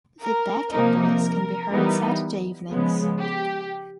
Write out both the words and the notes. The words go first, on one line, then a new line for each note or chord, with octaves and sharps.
The Baka Boyz can be heard Saturday evenings.
A#4
C3 F3 A#3 D#4 A#4
E3 G3 B3 D#4
C#3 F3 G#3 B3
G4